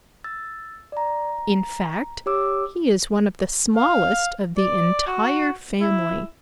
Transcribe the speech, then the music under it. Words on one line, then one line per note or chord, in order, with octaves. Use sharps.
In fact, he is one of the smallest of the entire family.
E6 A6
D5 A#5
A#5
G4 C#5 D6 E6
F5
D5
F#4
E4